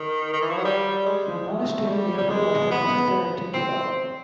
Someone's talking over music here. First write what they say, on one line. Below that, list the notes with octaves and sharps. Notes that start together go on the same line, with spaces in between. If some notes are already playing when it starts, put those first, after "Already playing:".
The monastery nearby offered hospitality to all.
Already playing: D#3
D#3
E3
F3
F#3
G3
G#3
A3
G3
G3
G#3
B3
C4